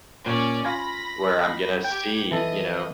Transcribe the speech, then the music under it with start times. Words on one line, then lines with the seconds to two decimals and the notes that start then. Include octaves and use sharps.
where I'm gonna see, you know,
0.26 A#2 C#4 C#5 D5
0.65 F4 F5 G#5 B5 A#6
1.84 G4 G5 G#6 D7
2.31 E3 A4 D#5